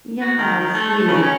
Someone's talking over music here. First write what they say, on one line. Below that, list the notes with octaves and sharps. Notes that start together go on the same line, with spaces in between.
Yeah, it's sweet.
F#4
D#3
D#3
A3
A3
C#3
C#4